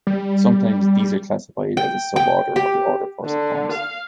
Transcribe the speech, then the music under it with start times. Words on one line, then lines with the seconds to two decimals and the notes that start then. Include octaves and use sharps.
Sometimes these are classified as a suborder of the order Perciformes.
0.07 G3
1.77 G5
2.16 G5
2.56 G4
3.26 D3
3.72 F5